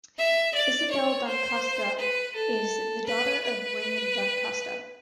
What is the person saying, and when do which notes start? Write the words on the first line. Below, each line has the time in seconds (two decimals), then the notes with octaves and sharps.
Isabel Da Costa is the daughter of Raymond Da Costa.
0.18 E5
0.54 D5
0.90 C#5
1.26 C5
1.98 B4
2.35 A4
3.07 B4
3.43 B4